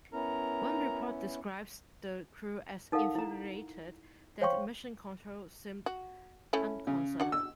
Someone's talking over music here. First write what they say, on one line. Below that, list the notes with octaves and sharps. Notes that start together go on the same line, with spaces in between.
One report describes the crew as "infuriated" that Mission Control seemed unconcerned.
B3 C#4 E4 A#4
D#4 A4 A#4 F5 F#5
E4 A#5
C5 C#5 F5 G5 C6 C#6
F#4
A3 C#4 E4
C#3
D4 F#4 F#5
E6